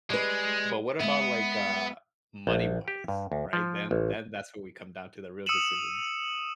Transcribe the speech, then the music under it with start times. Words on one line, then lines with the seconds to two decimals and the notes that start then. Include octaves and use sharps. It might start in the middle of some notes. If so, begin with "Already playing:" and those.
But what about, like, uh, money-wise, right, then then that's what we come down to the real decisions.
0.10 G3 G#3 B4
1.00 G#3 B3 E5
2.47 A#1
2.88 G4
3.08 G2
3.32 D2
3.53 F3
3.91 A1
5.46 D#6 E6 C#7 D#7 E7 F#7